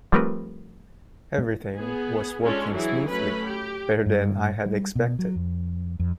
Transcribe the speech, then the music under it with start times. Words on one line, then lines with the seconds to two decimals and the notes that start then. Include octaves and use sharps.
Everything was working smoothly, better than I had expected.
0.12 F3 G3 A3 C4 A#4 B4
1.76 B3 G#4
2.43 G#3 C#4 D4 F4 A4
2.73 E3 F#3 E4 G#4
3.08 F#3 A3 C#4 B4 B5
3.46 G4
4.06 G2
4.66 G3
4.95 B2
5.19 F#3
5.36 F2
5.99 F2